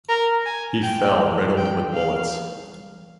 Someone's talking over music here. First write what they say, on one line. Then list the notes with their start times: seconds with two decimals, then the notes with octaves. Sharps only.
He fell riddled with bullets.
0.09 A#4
0.46 G#5
0.83 G5
1.57 G5
1.94 F5